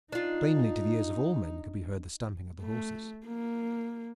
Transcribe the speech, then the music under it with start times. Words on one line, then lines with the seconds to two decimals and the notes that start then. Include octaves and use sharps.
Plainly to the ears of all men could be heard the stamping of the horses.
0.12 D4 D#4 F4
2.63 A3
3.26 A#3